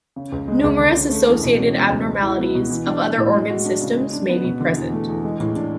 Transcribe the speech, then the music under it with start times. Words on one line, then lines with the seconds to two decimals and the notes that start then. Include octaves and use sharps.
Numerous associated abnormalities of other organ systems may be present.
0.16 C#3
0.32 C#2
0.48 G#3
0.64 C#2
0.79 D3
0.96 C#4
1.11 A3
1.28 E2
1.43 B2
1.60 C#4
1.75 G#3
1.90 C#2
2.06 G#3
2.23 E4
2.38 B3
2.55 B2
2.70 E3
2.86 D4
3.02 A3
3.18 A2
3.33 G#3
3.50 F#4
3.65 D4
3.82 C#3
3.97 G#3
4.13 D4
4.29 B3
4.44 B2
4.60 D3
4.77 E2
4.92 A3
5.08 E2
5.24 G#3
5.40 A2
5.56 D4